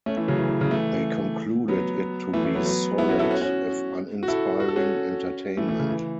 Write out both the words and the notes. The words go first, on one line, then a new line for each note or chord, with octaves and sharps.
They concluded it to be solid, if uninspiring, entertainment.
A3 C#4
E3 A3
C#3 F#3
E3
E3
C#3 F#3
E3 A3
F#3 B3
E3 A3
E3 A3
F#3 B3
F#3 B3
B3 E4
C#4 F#4
E4 A4
C#4 F#4
C#4 F#4
F#4
E4 A4
F#4
A4
C#4 F#4
E3 A3
E3 A3
C#3
E3